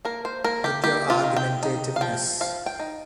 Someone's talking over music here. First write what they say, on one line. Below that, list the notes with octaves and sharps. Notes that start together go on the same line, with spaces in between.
With your argumentativeness.
A#3 A#4
C5
A#3 A#4
G4
A#3 G4
F4
D#3
G5
D#4
F5
F3 G5
F3 F5
G5
D#4